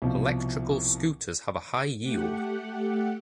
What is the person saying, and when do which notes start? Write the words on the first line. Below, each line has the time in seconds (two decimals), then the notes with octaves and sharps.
Electrical scooters have a high yield.
0.02 C2 B2 F3
2.02 A3 G4 F#5